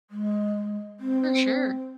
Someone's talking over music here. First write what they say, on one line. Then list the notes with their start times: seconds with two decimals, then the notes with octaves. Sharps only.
For sure.
0.10 G#3
0.99 C4